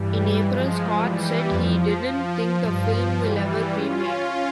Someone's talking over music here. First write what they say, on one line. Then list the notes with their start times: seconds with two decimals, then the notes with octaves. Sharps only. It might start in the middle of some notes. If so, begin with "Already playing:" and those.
In April, Scott said he didn't think the film will ever be made.
Already playing: G2 E3 G3
0.43 F3 G#3
0.98 E3 G3
1.52 F2 F3
2.07 F3
2.62 G2 F3
3.16 E3 G3
3.71 C#4 F4